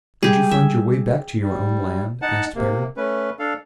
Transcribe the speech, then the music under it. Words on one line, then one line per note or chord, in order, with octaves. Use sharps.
"Could you find your way back to your own land?" asked Perry.
G3 G#3 G4 G#4
E5
G3
D#4 F#5 A5
C3 A#3
A3 C#4 B4
D4 A4 F5